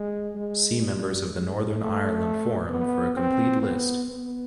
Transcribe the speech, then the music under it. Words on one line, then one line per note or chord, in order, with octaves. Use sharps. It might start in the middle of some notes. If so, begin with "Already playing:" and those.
See members of the Northern Ireland Forum for a complete list.
Already playing: G#3
G#3
G3
G#3
A3
B3
C4
B3
B3